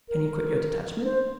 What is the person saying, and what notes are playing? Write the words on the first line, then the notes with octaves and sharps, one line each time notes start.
"Can you quit your detachment?"
A#4
C5